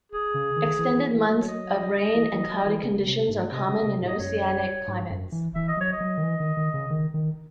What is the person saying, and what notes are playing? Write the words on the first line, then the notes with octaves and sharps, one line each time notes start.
Extended months of rain and cloudy conditions are common in oceanic climates.
G#4
C#3
D#3
E3
E3
E3
F#3
C#5
D#5
E3
E3
F#3
E3
C#3
C3
G#2
C3 D#5
C#3
C3
A2 D#5
F#2 C#5
G#2
F#2
E3
E3 E5
D#5
F#3 C#5
D#5
F#3
D#3
E3
D#3
D#3
C#3
D#3
D#3